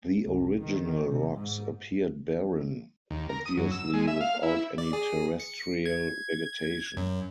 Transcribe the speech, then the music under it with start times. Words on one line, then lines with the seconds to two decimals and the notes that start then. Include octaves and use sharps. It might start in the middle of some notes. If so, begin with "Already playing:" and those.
The original rocks appeared barren, obviously without any terrestrial vegetation.
0.24 C2
0.61 D#3
1.06 C3
1.35 G#2
3.11 D#2
3.29 A#4
3.45 D#6
3.57 F#2
3.71 E6
3.94 G#3
4.07 E5
4.21 F5
4.43 E4
4.78 D5
4.93 G#4
5.40 C#7
5.86 G#6
6.97 F#2